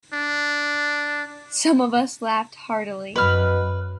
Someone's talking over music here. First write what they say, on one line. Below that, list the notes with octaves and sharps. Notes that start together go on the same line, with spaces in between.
Some of us laughed heartily.
D4
F#2 B2 B4 B5 F6